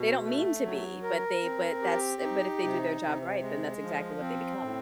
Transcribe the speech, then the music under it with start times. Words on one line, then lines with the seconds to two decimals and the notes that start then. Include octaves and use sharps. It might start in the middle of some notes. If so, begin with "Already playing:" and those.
They don't mean to be, but they but that's but if they do their job right, then that's exactly what they become.
Already playing: B2
0.24 A3
0.63 F#3
1.02 A#4
1.43 C4
1.82 G4
2.22 D#4
2.63 C3
3.01 C3
3.41 G#3
3.81 F3
4.20 C4
4.61 A2